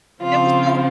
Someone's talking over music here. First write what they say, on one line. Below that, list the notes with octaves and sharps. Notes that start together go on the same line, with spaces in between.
there was no"
C#3 F3 C4 F4